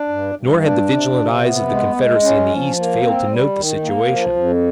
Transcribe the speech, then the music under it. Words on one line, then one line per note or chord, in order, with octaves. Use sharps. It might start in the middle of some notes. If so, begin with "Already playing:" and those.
Nor had the vigilant eyes of the Confederacy in the East failed to note the situation.
Already playing: D4
G2
G2
D4
C3
C3
B3
G#3
G#3
C#4
F3
A#3
C4
G3
D#3
A#3
F3
F2